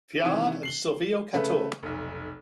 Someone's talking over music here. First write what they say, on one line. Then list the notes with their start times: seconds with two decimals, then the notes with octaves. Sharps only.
Theard and Silvio Cator.
0.23 C3 D#3 E3
0.63 C7 F#7 G7
1.34 C#3 A3 B4
1.83 F1 B1